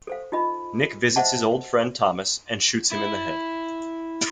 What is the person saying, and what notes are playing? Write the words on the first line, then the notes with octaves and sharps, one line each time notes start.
Nick visits his old friend Thomas and shoots him in the head.
A4 C5 F5
D#4 F4 D#5 B5
C5 D#5 E5 F#5 A5
E4